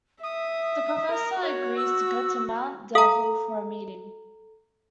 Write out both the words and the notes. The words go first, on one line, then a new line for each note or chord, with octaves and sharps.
The professor agrees to go to Mount Devil for a meeting.
E5 D#6
A#4
F#4 C#5
E6
A4 F5 A#5 D#6